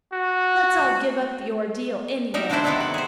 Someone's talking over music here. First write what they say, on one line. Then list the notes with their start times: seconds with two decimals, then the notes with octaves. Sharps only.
Let's all give up the Ordeal, anyway.
0.13 F#4
2.34 G3 D#4 A#4 E5
2.50 D3 G#3 A3 D4 E4 C5
2.64 C3 D#3 B3 C4 E4 A4
2.80 F#5
2.94 G#4 C5